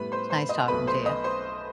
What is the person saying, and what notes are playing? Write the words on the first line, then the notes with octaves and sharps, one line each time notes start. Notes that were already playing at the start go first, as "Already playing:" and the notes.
it's nice talking to you
Already playing: A2 G3 B3 B4 B5
C5 C6
C5 C6
D#5 D#6
B1 B2 A3 B4 B5
C5 C6
D#5 D#6
C5 C6